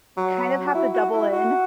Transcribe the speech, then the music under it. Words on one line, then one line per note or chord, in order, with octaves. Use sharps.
kind of have to double in
F#3
F#4
E4
F#4
E4
F#4